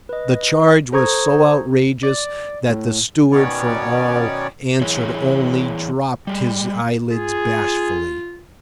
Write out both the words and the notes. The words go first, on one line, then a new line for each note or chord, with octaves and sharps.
The charge was so outrageous that the steward for all answer only dropped his eyelids bashfully.
B4 D#5
A4 C5 A#5 C#6 D#6 G#6
D5
A2
B2 D#3 B3 C#4 C#5 D5
E3 E4 G#4 C#5
G3 G#3
F4 G#4